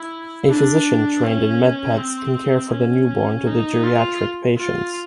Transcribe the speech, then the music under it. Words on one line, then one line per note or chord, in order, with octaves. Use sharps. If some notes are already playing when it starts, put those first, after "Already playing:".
A physician trained in Med-Peds can care for the newborn to the geriatric patients.
Already playing: E4
D4
C#4
C4
C#4
D#4
F4
F4